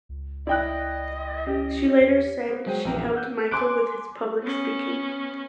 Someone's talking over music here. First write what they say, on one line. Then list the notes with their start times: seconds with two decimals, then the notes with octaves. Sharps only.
She later said she helped Michael with his public speaking.
0.09 C#2
0.47 E4 D5 D#5 G5 F#6
1.47 C#4 G4
2.00 E2
2.49 B3 C5
2.66 F#3 G#3 C5 G5 D#7
2.85 A#1 F#2 E3 G5 A#5
3.13 F#5 E6 F#6 G6
3.51 G#5 C6 D6 F#6 D7
4.42 B3 C#4